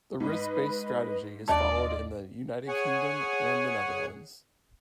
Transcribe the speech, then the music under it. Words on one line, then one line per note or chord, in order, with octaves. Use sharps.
The risk-based strategy is followed in the United Kingdom, and the Netherlands.
G#2 B4 D#5
D#2 F4 D5 D#5 A5
G#4 C#5 F#5 G#5